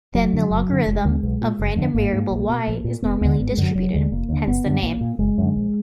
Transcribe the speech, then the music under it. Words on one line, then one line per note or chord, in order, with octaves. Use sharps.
Then the logarithm of random variable "Y" is normally distributed, hence the name.
F1 F#3
F2 D3
F#1
F#2 D3
F1 G#3
D#2 D3
B1
A#2
F#1
F2 D3
G#1 A#3
G#2
B1
B2
A#1
A#2
F1 B3
D#2 D3 B3
G#1 B3
G#3
F#2 D3
F#3
F1 F#3
D#2 D3 G#3
F1 A#3
D#2 D3
F#1 B3
F#2 D3
A#1 A#3
A#2
F#1 G#3
F#2 D3
A#1